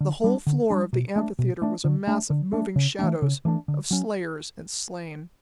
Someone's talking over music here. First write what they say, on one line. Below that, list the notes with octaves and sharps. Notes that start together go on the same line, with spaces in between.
The whole floor of the amphitheatre was a mass of moving shadows, of slayers and slain.
D3
G3 D4
D3
G3 D4
B2
A3 D4
B2
A3 D4
D3
A3 D4
D3
A3 D4
C#3
E3 A3 D4
C#3
E3 A3 D4
D3
F#3 C#4